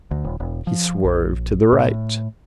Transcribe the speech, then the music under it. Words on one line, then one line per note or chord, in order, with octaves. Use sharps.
He swerved to the right.
D2
D#1
E1
F3
A#1
A2